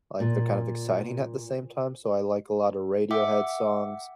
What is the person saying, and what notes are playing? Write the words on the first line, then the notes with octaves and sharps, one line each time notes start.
like, they're kind of exciting at the same time. So, I like a lotta Radiohead songs,
A#2
E5 F#5 G5 D6